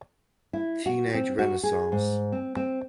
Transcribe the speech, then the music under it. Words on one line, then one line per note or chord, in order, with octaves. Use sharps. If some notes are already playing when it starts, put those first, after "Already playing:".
Teenage Renaissance!
E4
F#4
C4
F#4
G#4
G#2
C4
C4